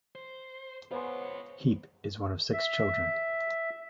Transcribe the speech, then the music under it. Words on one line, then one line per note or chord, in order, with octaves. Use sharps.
Heap is one of six children.
C5
B3 F4 C5 C#5 G#5 C6
E5